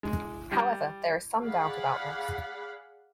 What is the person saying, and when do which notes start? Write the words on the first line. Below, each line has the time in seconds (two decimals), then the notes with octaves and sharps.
However, there is some doubt about this.
0.03 G#3
0.52 G3
1.41 G#4 D5 F5 F#5 B5